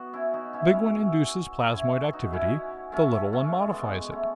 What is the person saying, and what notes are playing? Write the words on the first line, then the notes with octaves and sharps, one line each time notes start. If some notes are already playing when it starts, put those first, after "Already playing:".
The big one induces plasmoid activity, the little one modifies it.
Already playing: B3 F#4
C#4 E4
D#4 F#4
C#4 E4
C#4 E4
C#4 E4
D#4 F#4
C#4 E4
A3 C#4
A3 C#4
G#3 B3
A3 C#4